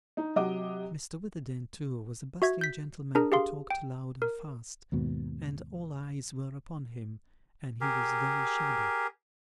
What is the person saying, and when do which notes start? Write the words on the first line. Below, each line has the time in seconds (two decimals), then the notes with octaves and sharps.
Mr Witherden too was a bustling gentleman who talked loud and fast, and all eyes were upon him, and he was very shabby.
0.17 D#4
0.36 C3 F#3 G4 D#5 F#5 D6
2.42 F#4 E5 G#6
2.61 G6 B6
3.15 D4 G#4 A#4 A#5
3.32 G4 G#4 F5 C6
3.70 G5
4.22 A#4
4.92 D#2 G#2 B2
7.81 G4 G#4 A#4